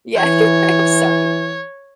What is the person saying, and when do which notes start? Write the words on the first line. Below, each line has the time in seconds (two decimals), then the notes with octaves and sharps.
Yeah, you're right, I'm sorry.
0.16 E3 C#5